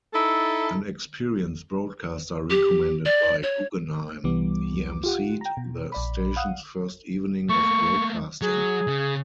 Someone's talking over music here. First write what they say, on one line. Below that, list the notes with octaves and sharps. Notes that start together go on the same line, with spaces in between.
An experienced broadcaster, recommended by Guggenheim, he emceed the station's first evening of broadcasting.
D#4 E4 A4
G4
D5
C#5
C2 E3 G3 B3 D6
F4 G4 F#5
G5 A#5
B2
A#1 D5 B5
F5 F#5 D#6
A3 A#3 C#6
F#3 G#4
C#3